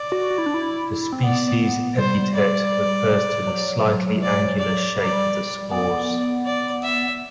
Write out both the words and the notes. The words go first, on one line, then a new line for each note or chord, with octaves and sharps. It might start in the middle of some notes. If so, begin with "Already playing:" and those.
The species epithet refers to the slightly angular shape of the spores.
Already playing: D5
F#4
F#4
E4
D4
E4
C4
B3 D5
G3 C5
D5
F#3
D5
D5
G3 D5
F#3
G3
B3 D5
D5
E5